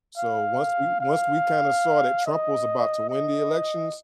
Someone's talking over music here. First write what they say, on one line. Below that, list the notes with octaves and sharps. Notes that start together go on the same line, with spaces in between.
So, once we once we kinda saw that Trump was about to win the elections,
F5
F5
D#5
D#5